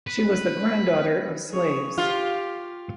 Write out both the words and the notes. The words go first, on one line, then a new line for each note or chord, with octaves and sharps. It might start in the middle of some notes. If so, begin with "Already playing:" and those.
She was the granddaughter of slaves.
B4
G#4 C#5
F4 G4